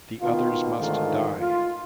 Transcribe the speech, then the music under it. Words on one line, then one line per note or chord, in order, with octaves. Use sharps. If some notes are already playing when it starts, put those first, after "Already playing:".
The others must die.
B2 D#3 F4
G#2 D3 D#3 A3 F4
F4